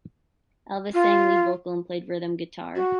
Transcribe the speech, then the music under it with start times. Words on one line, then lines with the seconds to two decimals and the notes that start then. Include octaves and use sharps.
Elvis sang lead vocal, and played rhythm guitar.
0.94 F4
2.76 F#4